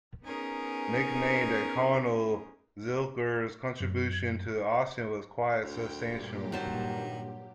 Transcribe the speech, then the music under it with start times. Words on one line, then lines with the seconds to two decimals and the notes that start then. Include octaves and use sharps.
Nicknamed "the Colonel", Zilker's contribution to Austin was quite substantial.
0.23 B3 C#4 D#4 G#4 A#4
3.80 F#2
5.63 D2 G5
6.07 G2 A#2 G4
6.52 D#3 F#3 C5 A5